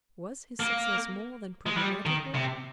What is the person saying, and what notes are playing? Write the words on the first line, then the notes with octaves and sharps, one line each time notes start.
Was his success more than problematical?
A#3
G#3
G3
D#3
C3